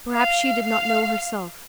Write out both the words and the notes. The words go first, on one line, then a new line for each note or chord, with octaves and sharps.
Perhaps she did not know herself.
F5
F5